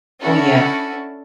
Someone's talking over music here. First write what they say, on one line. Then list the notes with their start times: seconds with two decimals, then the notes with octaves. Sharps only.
Oh, yeah.
0.20 C#4 D4 E4 F#4 A4